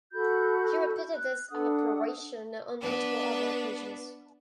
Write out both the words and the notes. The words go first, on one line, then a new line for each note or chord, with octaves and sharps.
He repeated this "operation" on multiple other occasions.
F#4 A4 B5 G6
F#6
D4 A4 F#5 D#6
B3 D4 B4